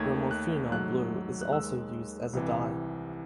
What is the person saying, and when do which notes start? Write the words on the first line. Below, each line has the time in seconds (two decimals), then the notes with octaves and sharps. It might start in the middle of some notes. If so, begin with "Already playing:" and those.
Bromophenol blue is also used as a dye.
Already playing: D#2 D#3 A3 G#6
0.31 F#6
0.71 G#2 F#3 A3 F#6
1.41 F#6
1.52 D#2 D#3 G#3 E6
2.33 C2 C3 E3